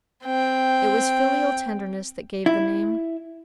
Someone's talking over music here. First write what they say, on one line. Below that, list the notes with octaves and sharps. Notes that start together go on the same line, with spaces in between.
It was filial tenderness that gave the name.
C4 G5
E4